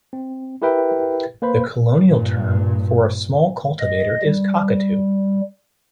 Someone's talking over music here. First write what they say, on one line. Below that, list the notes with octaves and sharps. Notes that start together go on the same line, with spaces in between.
The colonial term for a small cultivator is cockatoo.
C4
E4 G4 A#4 B4 E5 G5
A#3 B4 C5 B5
G2 A#2
D#5
G3